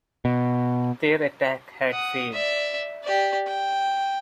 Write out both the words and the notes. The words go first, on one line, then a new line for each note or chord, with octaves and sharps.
Their attack had failed.
B2
F#5 D#6
D5 E5
G4 D5
G5